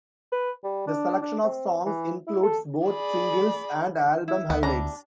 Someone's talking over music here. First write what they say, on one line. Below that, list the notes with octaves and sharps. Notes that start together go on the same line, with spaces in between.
The selection of songs includes both singles and album highlights.
B4
G3
D4
D4
C4
E3
E4
A4
G#4 D5 B5
E4
D2 B3
G3 D4 A#5